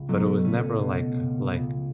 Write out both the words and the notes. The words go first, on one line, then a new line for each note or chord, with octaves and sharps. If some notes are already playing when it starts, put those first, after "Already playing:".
but it was never, like uh, like,
Already playing: C#2
B2 F#3 A3
C#2 A3 C#4
B2
C#2
C#2